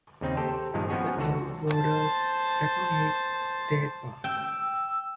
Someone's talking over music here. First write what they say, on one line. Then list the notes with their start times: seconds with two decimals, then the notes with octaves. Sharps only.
The town borders Taconic State Park.
0.21 D#2 C#3 C4 D#4
0.37 G4 A4 C5 G5
0.74 G2 A#2 D#3 F3 G#3
0.89 F3 B3 C#4 F#4 G#4 C#5
1.17 C#2 D3 F#4 A4
1.74 C5 A5
4.24 G5 E6